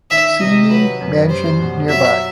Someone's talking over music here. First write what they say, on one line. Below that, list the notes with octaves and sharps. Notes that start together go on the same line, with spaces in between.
Seay Mansion nearby.
D#3 E5
C3 D#5
F#3 B4
F#2
G3 C5
B2
F#3 E5